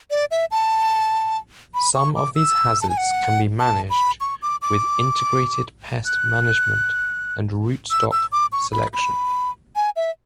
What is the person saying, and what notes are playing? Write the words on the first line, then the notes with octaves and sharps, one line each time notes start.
Some of these hazards can be managed with integrated pest management and rootstock selection.
D5
E5
A5
B5
C#6
D6
E6
A5
G#5
F#5
A5
B5
C#6
D6
D6
F#6
E6
E6
D6
C#6
B5
B5
G#5
E5